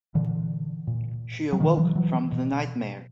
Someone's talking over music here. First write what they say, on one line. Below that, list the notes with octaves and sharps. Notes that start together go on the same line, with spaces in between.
She awoke from the nightmare.
A#2 D3 E3
A#2
F#3
B2 D#3 F3
E3 F#3
E3 F#3
B2